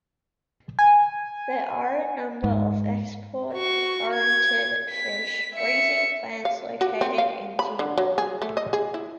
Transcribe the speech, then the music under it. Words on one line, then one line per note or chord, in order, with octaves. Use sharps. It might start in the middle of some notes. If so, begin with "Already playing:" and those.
There are a number of export oriented fish freezing plants located in Jiwani.
G#5
G#2
F#4 C#6
G#6
B6
E5 C#7
F5
F#4
C4
F5
B5
D3
F#3
G#4
A3
D#5
G#4
E4